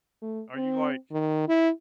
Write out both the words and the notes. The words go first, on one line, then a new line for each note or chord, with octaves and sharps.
"Are you like"
A3
C4
D#3
E4